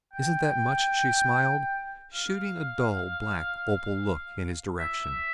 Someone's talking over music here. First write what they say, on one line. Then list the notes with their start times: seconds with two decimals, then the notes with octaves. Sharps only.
"Isn't that much?" she smiled, shooting a dull, black-opal look in his direction.
0.13 G5
2.14 F5
4.80 E5